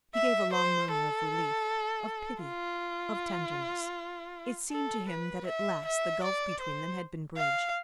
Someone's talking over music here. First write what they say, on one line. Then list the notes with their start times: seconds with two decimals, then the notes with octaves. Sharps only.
He gave a long murmur of relief, of pity, of tenderness; it seemed to him that at last the gulf between them had been bridged.
0.15 E5
0.53 C5
0.91 A4
2.43 F4
4.72 A4
5.09 B4
5.47 E5
5.86 E5
6.24 D5
6.61 C5
7.37 F5